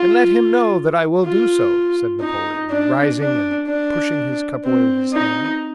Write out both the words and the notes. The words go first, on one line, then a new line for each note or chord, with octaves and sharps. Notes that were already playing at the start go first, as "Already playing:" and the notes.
"And let him know that I will do so!" said Napoleon, rising and pushing his cup away with his hand.
Already playing: F4
F4
D#4
D4
D4
D4
C4
D#4